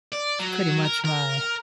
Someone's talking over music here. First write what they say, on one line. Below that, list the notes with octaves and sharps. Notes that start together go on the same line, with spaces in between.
It's pretty much my
D5
F#3
A#4
A#4